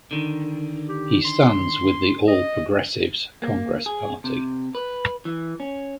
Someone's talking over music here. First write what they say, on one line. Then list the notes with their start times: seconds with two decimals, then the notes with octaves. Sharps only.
He stands with the All Progressives Congress Party.
0.11 D3 D#3
0.89 G4
1.25 C6
2.28 D#5
3.42 A#3
3.86 G#4
4.24 C3
4.75 B4
5.25 E3
5.60 C#4